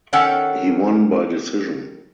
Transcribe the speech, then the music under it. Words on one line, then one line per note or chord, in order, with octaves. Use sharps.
He won by decision.
D#3 C#4 A4 C#5 F#5 G5